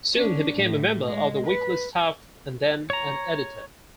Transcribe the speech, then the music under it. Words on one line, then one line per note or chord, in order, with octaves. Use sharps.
Soon he became a member of the weekly's staff and then an editor.
C#4 D4
A2
G#3
B4
C#5 A#5